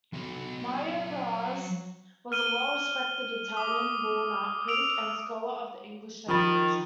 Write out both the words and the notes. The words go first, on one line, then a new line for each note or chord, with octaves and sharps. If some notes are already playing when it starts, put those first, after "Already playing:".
Mario Praz was a well-respected Italian-born art critic and scholar of the English language.
F#3 D#5
F6 D#7 G7
D6 D#6
E6 D7 F7
D#3 F3 B5 A6